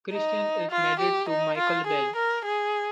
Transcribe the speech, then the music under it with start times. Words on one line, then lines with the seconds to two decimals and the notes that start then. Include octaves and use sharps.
Christian is married to Michael Bell.
0.12 D#4
0.71 F4
0.99 G4
1.29 D#4
1.57 F4
1.87 G#4
2.16 A#4
2.45 G#4